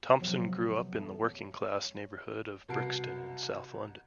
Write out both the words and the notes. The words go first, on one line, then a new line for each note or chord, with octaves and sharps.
Thompson grew up in the working-class neighbourhood of Brixton in south London.
C3 F3 F#3 G#3 B3
E2 B2 G3 A4
C#5
C#5
C2 B2 A5 C7 D7